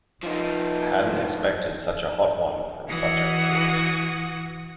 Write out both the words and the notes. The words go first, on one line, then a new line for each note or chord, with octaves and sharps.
I hadn't expected such a hot one from such a quarter.
F3 D#4
E3 F#4 F#5 D#6 G#6 A#6